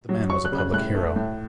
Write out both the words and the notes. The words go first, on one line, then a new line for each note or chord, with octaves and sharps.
The man was a public hero.
F#3
F#3 C#6
F#6
C#3
F#6
A2 F#6
A3
A2